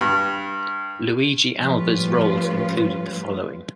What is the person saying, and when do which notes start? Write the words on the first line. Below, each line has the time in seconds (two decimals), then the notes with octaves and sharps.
Luigi Alva's roles included the following.
0.01 G2
1.57 A2 F3 G3 C#4 F4 B4